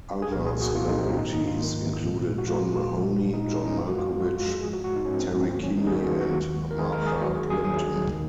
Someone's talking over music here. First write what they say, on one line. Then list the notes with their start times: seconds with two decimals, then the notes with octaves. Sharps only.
Other celebrities included John Mahoney, John Malkovich, Terry Kinney and Martha Plimpton.
0.22 G#4
0.32 C2 A#2 F3 A#3 A#4
0.46 G#4
0.60 F#4
0.75 C2 A#2 F3 A#3 F4
0.89 D#4
0.98 C4
1.04 C#4
1.18 G#2 D#3 A#3 D#4
1.33 D#4
1.47 F4
1.62 G#2 D#3 A#3
2.05 A#2 G#3
2.38 F#4
2.47 A#2 G#3 F4
2.62 G#4
2.76 F4
2.90 A#2 F3 G#3
3.33 A#2 F3 G#3 D#4
3.44 F4
3.55 D#4
3.61 C#4
3.66 D#4
3.77 F#2 F3 G#3 F4
3.87 F#4
3.98 F4
4.09 F4
4.20 F#2 F3 G#3 F#4
4.33 F4
4.48 G#4
4.63 G#2 F3 G#3 G#4
4.73 F#4
4.84 F#4
4.96 D#4
5.06 G#2 F3 G#3 C#4
5.20 C4
5.35 A#3
5.49 D#2 D#3 F#3 A#3 C4
5.63 C#4
5.78 D#4
5.87 G#4
5.91 D#2 D#3 F#3 A#3 F#4
6.06 F4
6.21 F#4
6.35 D#2 D#3 G#3
6.71 A#4
6.78 D#2 D#3 G#3 G#4
6.93 A#4
7.07 G#4
7.21 D#2 D#3 F#3 F#4
7.35 G#4
7.50 G#4
7.64 D#2 D#3 F#3 G#4
8.08 D#3 A#3